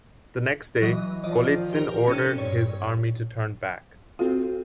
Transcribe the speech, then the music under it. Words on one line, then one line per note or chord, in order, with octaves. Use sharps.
The next day, Golitsyn ordered his army to turn back.
E3 F#3 D#5
D#3 F3 D5 D#5
G4 A#4
C3 C#4 D#4 A4
G2 C#5
C4 F4 F#4 A4